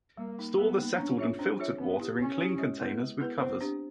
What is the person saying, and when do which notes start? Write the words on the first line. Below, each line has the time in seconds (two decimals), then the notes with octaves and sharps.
Store the settled and filtered water in clean containers with covers.
0.17 G3 A#3
0.39 A#3 D#4
0.58 G3 B3
0.78 A#3 D#4
0.98 C#4 D4
1.18 F4 G#4 C#5 E5
1.38 C4 D4
1.59 F4 G#4 C#5 E5
1.78 B3 C4
2.00 E4 G4
2.19 C4 C#4
2.40 E4 G4
2.59 G#3
2.80 B3 E4 G#4 B4
2.99 G#3
3.21 B3 E4 G#4 B4
3.40 B3 C4
3.61 D4 G4 C5